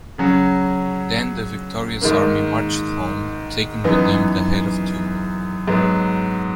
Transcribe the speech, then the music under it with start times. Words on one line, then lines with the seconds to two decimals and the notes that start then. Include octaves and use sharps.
Then the victorious army marched home taking with them the head of Teumman.
0.18 C#3 F#3 C#4 F#4
2.02 G#2 D#3 A#3
3.84 F#2 E3 B3 D#4
5.68 G#2 F#3 B3